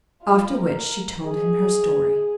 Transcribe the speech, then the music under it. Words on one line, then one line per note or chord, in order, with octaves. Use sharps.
After which she told him her story.
F4
A#4
G#4